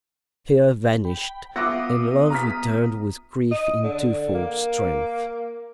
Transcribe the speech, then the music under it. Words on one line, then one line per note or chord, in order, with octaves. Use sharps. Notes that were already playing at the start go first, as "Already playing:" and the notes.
Fear vanished, and love returned with grief in twofold strength.
G5 B5
B3 F4 E5 F#5 D6 D#6 A#6
A#5 F6 B6
D#5
D3
A#3